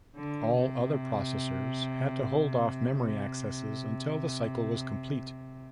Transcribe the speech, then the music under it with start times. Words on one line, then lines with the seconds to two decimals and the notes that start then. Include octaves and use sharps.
All other processors had to hold off memory accesses until the cycle was complete.
0.17 D3
0.57 C3
3.02 C3